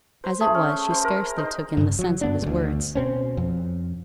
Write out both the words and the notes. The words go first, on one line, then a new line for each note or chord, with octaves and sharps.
As it was, she scarcely took in the sense of his words.
C5
A3 G#4
C#4
C5
A#4
D#4 C5
G2 C#3
F#3
G2 B3 D4
D2 G#3
B2 C4 C#4
F2